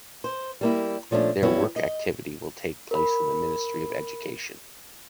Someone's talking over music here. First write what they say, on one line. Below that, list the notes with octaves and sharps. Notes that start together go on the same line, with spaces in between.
Their work activity will take place in the Ministry of Education.
C5
G3 A#3 E4
A#2 F3 A3 C#4 D4
E3 F#3 G3 B3 E4
D#5
A#4 B5